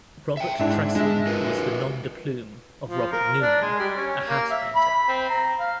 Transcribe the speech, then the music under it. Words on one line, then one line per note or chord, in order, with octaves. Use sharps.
Robert Tressell was the nom-de-plume of Robert Noonan, a house painter.
E5 G5
G#2 D4 E4
G#3 D4 E5
F4 A#4 B4
F3
A#4
D4
G#3
G3
C#4
A#3
E5
B5
C4
A#5
F5